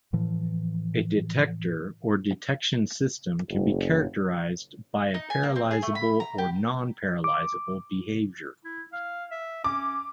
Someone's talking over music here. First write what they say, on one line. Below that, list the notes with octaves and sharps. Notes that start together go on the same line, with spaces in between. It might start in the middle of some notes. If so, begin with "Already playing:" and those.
A detector, or detection system, can be characterized by a "paralyzable" or "non-paralyzable" behaviour.
A2 E3 F3
F#1
D#4
G#5
A#3
C4
G#4
A3
B5
A#5
G4
D6
E4
F5
E5
C#4 D6